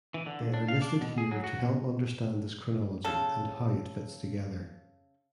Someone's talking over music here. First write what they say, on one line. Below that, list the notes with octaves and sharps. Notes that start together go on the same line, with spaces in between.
They are listed here to help understand this chronology and how it fits together.
E3
D3
A#2
D4
F5
D4
B2
G#4
F#3
F#4
B2
C#3 A4